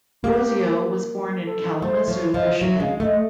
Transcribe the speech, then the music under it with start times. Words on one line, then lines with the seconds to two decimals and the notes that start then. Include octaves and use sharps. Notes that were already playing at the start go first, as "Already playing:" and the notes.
Rossio was born in Kalamazoo, Michigan.
0.24 A#3 G4
1.43 A4
1.82 A3 C5
2.08 F3 C#5
2.34 F3 D#5
2.61 F#3 E5
2.80 G#3 F5
3.00 A3 D#5